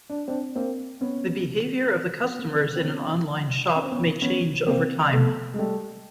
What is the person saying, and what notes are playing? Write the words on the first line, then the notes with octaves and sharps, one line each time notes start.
The behavior of the customers in an online shop may change over time.
D4
C4 D4
A#3 C4
B3 C#4
B3
A#3 C4
C4
B3 C#4
C#4
C4
B3 C#4
B3 C#4
A#3 C4
A3 B3
G#3
G3 A3